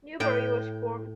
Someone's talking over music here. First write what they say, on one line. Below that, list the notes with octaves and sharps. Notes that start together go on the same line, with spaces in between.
Newbury was formed.
A2 G5